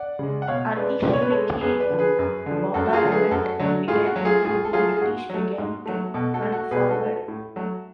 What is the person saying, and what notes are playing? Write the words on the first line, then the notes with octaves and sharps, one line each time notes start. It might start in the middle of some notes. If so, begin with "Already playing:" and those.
At the hurricane bombardment began and the British began to run forward.
Already playing: D5 F#5
C#3 G#3
F#5
B2 C#5 F5
G#3 B4 D5
B2 D5
C#5
B4
G#3 A4 C#5
F#2 G#4 B4
B4 D5
D3 F3
G#4 B4
F#2
D3 F3
F#2 F#4 A4
F#4
F4 G#4
D3 F#3 A3
G#4 B4
F#2 F#4 A4
D3 F#3 A3
A2 F4 G#4
F#4
F#3 A3
F4 G#4
A2 F4 G#4
A4
F#3 A3 F4 G#4
G#4
G#2 F#4
F#3 A3
G#2
F#3 A3
B2 F#4 A4
F#4 A4
A3
F#4 A4
B2 G#4 B4
F#4 A4
A3
A2
F#3 A3